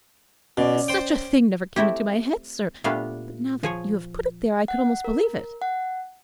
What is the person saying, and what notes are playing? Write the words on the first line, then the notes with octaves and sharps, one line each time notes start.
"Such a thing never came into my head, sir; but now that you have put it there, I could almost believe it."
B2 C#4 D5
C5 G5
A3 C4 E4 G4
A#2 G3 A3 B3 D4 F5
F3 G#4 C#5
F#5
A#4
F#5